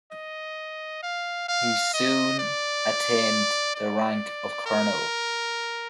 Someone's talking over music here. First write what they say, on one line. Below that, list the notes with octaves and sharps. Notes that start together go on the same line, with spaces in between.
He soon attained the rank of colonel.
D#5
F5
F5
D#5
D5
D5
A#4